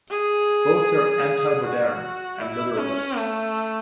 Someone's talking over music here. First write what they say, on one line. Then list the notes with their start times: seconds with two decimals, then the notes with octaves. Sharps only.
Both are "antimoderne" and literalist.
0.11 G#4
1.65 F#4
2.41 E4
2.78 C#4
3.17 A3